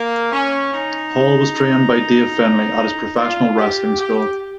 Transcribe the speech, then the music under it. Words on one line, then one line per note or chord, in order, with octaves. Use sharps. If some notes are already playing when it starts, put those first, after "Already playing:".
Hall was trained by Dave Finlay at his professional wrestling school.
Already playing: A#3
C#4
D#4
F4
G4
G4